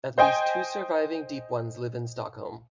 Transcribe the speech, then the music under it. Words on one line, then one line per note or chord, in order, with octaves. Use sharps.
At least two surviving Deep Ones live in Stockholm.
C5 D#5 G5 G#5